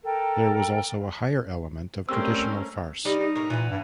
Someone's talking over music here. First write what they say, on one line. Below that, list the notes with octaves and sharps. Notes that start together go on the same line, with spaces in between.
There was also a higher element of traditional farce.
A4 A#4 G5
G3 A3 C4 C#4 A#4 E6
G3 D#4 D5 D#5
D#4
A2 A#3
A#2 E3 B3
G2